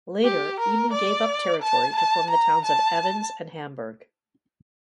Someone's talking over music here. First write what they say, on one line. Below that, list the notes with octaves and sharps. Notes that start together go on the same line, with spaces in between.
Later, Eden gave up territory to form the towns of Evans and Hamburg.
G4
A#4
D5
A5
A5
A#5
A5